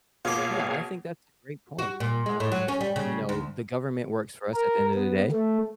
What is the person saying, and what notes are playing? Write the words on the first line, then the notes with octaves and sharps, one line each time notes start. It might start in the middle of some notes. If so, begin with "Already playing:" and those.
Yeah, I think that's a great point, um, you know, the government works for us at the end of the day.
B2 A#3 F4 G#4 C#5 F5 D6
F#4
A#2
G#3
A2
F#3
C#4
G3
C#3
D2
A#4
B3
A3